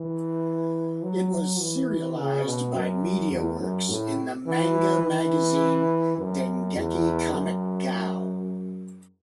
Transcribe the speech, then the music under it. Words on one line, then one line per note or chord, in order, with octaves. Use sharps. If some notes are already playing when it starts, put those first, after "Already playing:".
It was serialized by MediaWorks in the manga magazine Dengeki Comic Gao!
Already playing: E3
F#3
E3
C#3
B2
F#2
E2
F#2
A2
E3
E3
F#2
E2
F#2